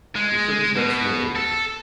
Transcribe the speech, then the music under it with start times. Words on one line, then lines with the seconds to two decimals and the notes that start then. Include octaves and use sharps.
He shook his head slowly.
0.16 G#3
0.77 B2
1.36 A4